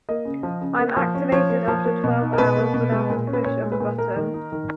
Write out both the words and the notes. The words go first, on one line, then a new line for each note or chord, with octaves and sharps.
I am activated after twelve hours without a push of a button.
A#3 D#5
C#3
F3
C#3
A#3
F3
C#4
F3 C#5
A#3
F3
A#3
B2
D#4
A#4
B2 B4
A#3
B2
G#3
A#2
C#4
B4
A#2 C#5
G#3
B4
A#2
A#3 A#4
D#3
D#4
D#3